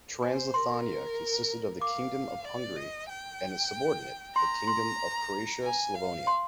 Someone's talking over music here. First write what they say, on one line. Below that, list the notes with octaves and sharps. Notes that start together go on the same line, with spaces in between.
Transleithania consisted of the Kingdom of Hungary and its subordinate, the Kingdom of Croatia-Slavonia.
C5 G#5
A#4 C6
F5 D6
D5
D#5
G5
A#5 C6
C6
G#5
F5
C6